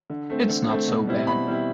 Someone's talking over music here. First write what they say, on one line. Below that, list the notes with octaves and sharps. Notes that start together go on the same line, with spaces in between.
It's not so bad.
D3
A3 C4
D3
A3 C4
B2
G3 C4 E4
B2 B5
G3 C4 E4